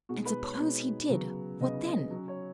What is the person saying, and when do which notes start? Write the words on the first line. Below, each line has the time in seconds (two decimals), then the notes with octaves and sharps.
And, suppose he did, what then?
0.09 B2 G#3 D#4 F#4
0.25 B4
0.42 C#5
0.60 B2 G#3 D#4
1.09 C#3 F#3 B3
1.61 C#3 F#3 B3 D#5
1.85 D#5
2.10 F#3 C#4
2.28 C#5